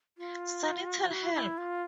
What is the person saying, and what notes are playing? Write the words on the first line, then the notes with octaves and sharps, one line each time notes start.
Sentinel Help!
F4
F#4
E4
F4